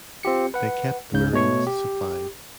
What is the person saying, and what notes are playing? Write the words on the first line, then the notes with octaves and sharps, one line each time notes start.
They kept the marines supplied.
C4 F4 G4 C#7
B4 F#5
C#2 C#3 G6
B2 A3 C#5 C#6
G4